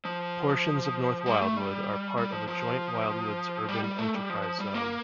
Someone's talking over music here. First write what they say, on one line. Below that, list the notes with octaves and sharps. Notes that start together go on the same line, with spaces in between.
Portions of North Wildwood are part of a Joint Wildwoods Urban Enterprise Zone.
F3
G3
A3
G3
G3
F3
F3
G3
G3
A3
G3
F3
G3
A#3